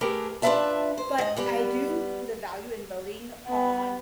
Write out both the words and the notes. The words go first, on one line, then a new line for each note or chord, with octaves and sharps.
but I do the value in voting on,
A3 G4 G#4 A#4 B4
D4 F4 A4 B4 E5 A5
C5
G#2 D#5
G3 B3 B4
B3